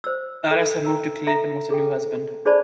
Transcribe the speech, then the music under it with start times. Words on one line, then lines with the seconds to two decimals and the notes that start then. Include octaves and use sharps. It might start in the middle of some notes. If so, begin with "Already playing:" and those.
Alice had moved to Cleveland with her new husband.
0.04 C5 E6
0.51 A4
0.85 G5 A#5 E6
1.27 A4 E5 A#5
1.70 G#4 A4 G5
2.45 D4 G#4 C5 D5 A5 B5